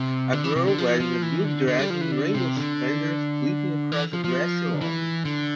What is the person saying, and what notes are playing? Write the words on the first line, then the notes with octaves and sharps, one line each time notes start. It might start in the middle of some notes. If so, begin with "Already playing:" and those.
A girl wearing a blue dress and rainbow suspenders leaping across a grassy lawn.
Already playing: C3
D3
E3
C3
D3
F3
E3
F3
E3
D3
D3
G3
F3
E3
D3
C3
D3
E3
F3
F3
D3
E3
D3